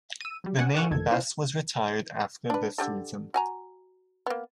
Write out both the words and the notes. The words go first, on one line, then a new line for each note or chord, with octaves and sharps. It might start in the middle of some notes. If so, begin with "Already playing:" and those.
The name Bess was retired after this season.
E6 D#7
F#3 G3
C#4 F#5 G#5
G4 A#4 D5 F#5 G#5 C#6
A1 F2 D#3 A4 G#6
B3 C#4 E4 F4 C5
D4 B4
D3 G4 A4
F#4 G#5 A#5
A#3 B3